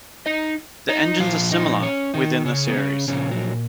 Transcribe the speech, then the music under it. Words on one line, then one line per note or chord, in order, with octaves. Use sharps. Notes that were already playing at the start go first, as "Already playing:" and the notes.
The engines are similar, within the series.
D#4 D#5
D#4 D#5
A#2 F3 F4 F5
D#4 D#5
C#4 C#5
D#3 D#4
C#3 C#4
B3
C#3 C#4
A#2 C#3 F3 C#4
F#3